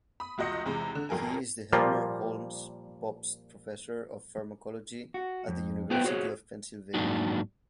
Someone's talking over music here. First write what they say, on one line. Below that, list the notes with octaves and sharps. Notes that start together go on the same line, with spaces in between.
He is the Elmer Holmes Bobst Professor of Pharmacology at the University of Pennsylvania.
B5 D#6
F1 C#2 F#4 D#5 G6 C#7
E2 C3 G#3 A#5 B5
D3
G#1 F2 A4 A#4 G#5
A#2 F3 G3 A#3 F4
F#4
F2
B3 F4 B4 C5 G5
F#4 G#4 C5 C#5
G#2 F#3 A#3 D4 D#4 F#4